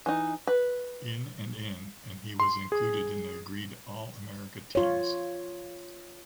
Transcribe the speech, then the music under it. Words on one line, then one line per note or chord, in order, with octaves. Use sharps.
In and in and he was included in the agreed All-America teams.
E3 D#4
B4
C6
G#4
F4 C#5